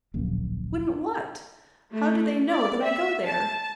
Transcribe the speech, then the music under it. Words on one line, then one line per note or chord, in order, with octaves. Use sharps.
'Wouldn't what?--How do they know that I go there?'
D1 A#1 F#2 A#3
A3
D5
E5
A5